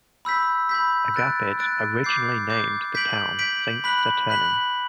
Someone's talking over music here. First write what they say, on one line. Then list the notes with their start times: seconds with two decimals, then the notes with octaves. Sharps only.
Agapit originally named the town Saint Saturnin.
0.25 B5 E6 G6 B6
0.69 B5 E6 G6 B6
1.14 F#6 A6 D7
1.59 F#6 A6 D7
2.04 D6 G6 C7
2.49 D6 G6 C7
2.95 G6 B6 D7 F#7
3.39 G6 B6 D7 F#7
3.84 B5 F#6 B6 F#7
4.29 B5 F#6 B6 F#7